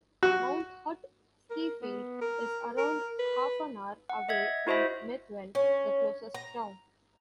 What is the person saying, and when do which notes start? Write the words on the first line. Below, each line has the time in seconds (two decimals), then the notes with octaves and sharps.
Mount Hutt skifield is around half an hour away from Methven, the closest town.
0.23 F#4
1.50 A#4
1.82 B3
2.21 A#4
2.78 A#4
3.19 B4
4.09 F#5
4.29 D#5 E5 G#6
4.67 E4 F#4 C5 D#5 E5
5.55 C#4
6.34 A#5